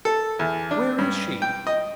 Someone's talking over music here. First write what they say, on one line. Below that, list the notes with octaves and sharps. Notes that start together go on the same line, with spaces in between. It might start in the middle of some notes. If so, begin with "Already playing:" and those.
Where is she?
A4
E2
D4
G2
G5
D#5